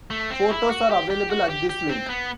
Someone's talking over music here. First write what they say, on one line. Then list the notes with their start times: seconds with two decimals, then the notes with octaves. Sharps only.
Photos are available at this link.
0.10 A3
0.30 C4
0.51 E4
0.70 F#4
0.91 G4
1.10 G4
1.30 F#4
1.49 G4
1.69 G4
1.89 C4
2.10 B3